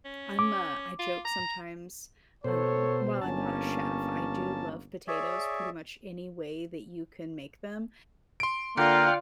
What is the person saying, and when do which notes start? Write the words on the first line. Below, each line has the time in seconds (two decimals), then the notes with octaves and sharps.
I'm a I joke sometimes, um while I'm not a chef, I do love potatoes pretty much any way that you can make them.
0.05 C#4
0.39 D6
0.99 F4
1.25 A#5
2.44 B2 A4 C5 C#5
3.21 G1 A#3 C#4 A5
5.08 G#4 C#5 D5 E5
8.40 C6 D7
8.77 D3 A#3 F4 D5 F#5 G5 F6